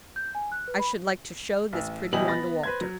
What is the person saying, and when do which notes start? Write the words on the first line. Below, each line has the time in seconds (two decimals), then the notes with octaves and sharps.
I should like to show this pretty one to Walter.
0.16 G6
0.35 G#5
0.52 F#6
0.68 B4
0.79 B5
1.73 A1
2.13 B2 E3 G3 G4 D#5 F#7
2.28 B3 B5 A6 A#6
2.63 B4 C5 G#6
2.81 F#3